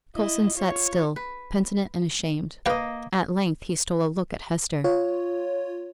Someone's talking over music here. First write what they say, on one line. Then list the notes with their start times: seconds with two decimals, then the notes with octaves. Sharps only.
Coulson sat still, penitent and ashamed; at length he stole a look at Hester.
0.16 E4 D#5
0.54 F4 C#5
1.16 B4
2.66 A#3 B4 D#5 F5 G5
4.84 F4 C#5